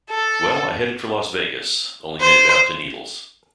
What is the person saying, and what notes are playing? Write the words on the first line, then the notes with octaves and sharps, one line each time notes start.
Well, I headed for Las Vegas, only made it out to Needles.
A4
C5